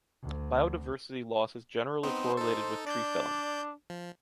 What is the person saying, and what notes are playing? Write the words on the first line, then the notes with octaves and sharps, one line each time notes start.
Biodiversity loss is generally correlated with tree felling.
D2
B3 C4 D#4 C5
D#4 A4
D4 D5 G6
F3